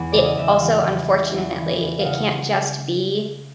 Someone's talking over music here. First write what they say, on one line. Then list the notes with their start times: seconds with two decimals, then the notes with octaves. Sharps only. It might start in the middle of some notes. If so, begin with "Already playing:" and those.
it also, unfortunately, it can't just be,
Already playing: E2 F#5
0.12 C#3 D5
0.25 D#5
0.37 E2 E5
0.50 F5
0.62 E3 F#5
0.86 E2
1.10 C#3
1.34 E2
1.57 E3
1.81 E2
1.99 F5
2.05 C#3 F#5